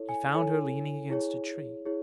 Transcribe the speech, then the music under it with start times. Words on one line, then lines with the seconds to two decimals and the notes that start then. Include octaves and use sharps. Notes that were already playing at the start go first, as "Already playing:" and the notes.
He found her leaning against a tree.
Already playing: E4 A4 C#5
0.09 G#5
0.34 E4 A4 C#5 G#5
1.10 E4 G#4 C#5
1.85 E4 G#4 C#5